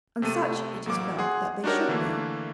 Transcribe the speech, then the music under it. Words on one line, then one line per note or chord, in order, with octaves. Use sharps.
And such it is felt that they should be.
C3 A3 A4 D#7
A1 F#3 A#3 D6
G#4 F#5 C6
D4 D#4 F#4 G4 A#4 C#5
D3 E3 A3 A#3